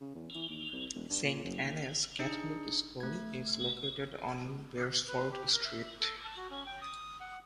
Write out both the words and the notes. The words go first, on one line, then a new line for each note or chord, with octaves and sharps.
Saint Annes Catholic School is located on Beresford Street.
C#3
E2
E3
D#2
C2
E1
G2
A#2
F#1
D#2
D4 D#4 G#4 C#7
A3 G#6
B4
G4
A#4
E5
A4
A5
F#4
C#4
G5
D#6
F#5